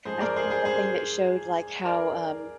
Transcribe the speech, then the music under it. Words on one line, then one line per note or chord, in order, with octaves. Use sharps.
I think something that showed, like, how, um,
G#2 F3 G#4 C5
A#4 D5
G#4 C5
G#4 C5
G#4 C5
A#4 D5